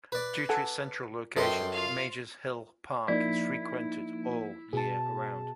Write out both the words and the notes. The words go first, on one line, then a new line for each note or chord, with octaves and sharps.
Due to its central location, Major's Hill Park is frequented all year round.
B4 D5
A4 F#5 G#5
F#2 A4 B4 D#5 G5 C6
F4 F5
F3 A#3 D#4 E4 D5
B2 G#4 A5